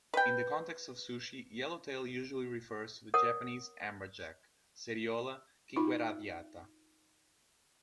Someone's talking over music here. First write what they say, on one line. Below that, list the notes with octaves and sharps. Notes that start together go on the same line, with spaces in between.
In the context of sushi, yellowtail usually refers to the Japanese amberjack, "Seriola quinqueradiata".
B4 G5
A#4 C#5 F#5 D#6
D#4 F4 B5